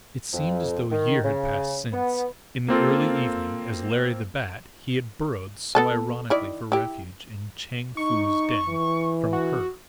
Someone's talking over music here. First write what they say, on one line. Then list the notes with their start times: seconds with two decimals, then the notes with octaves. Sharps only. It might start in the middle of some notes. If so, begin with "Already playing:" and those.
It seemed as though a year had passed since, in the early evening, as Larry the Bat, he had burrowed so ironically for refuge in Chang Foo's den--from her!
0.34 F2
0.92 D#3
1.24 C#3
1.92 B3
2.68 A#3 C4 F4 A4
5.75 B3 A4 A5
6.30 D#3 E4 D5
6.72 E4 G4
7.97 D#4 C#6
8.69 E3
9.33 F#4